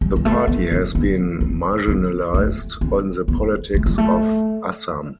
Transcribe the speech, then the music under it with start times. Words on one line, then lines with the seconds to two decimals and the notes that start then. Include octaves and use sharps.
The party has been marginalized in the politics of Assam.
0.01 G3
0.16 G3
0.25 A3
0.47 B3
0.72 C4
0.95 B3
1.41 C4
1.88 B3
2.34 A3
2.81 C4
3.28 B3
3.74 A3
3.86 G3
3.98 A3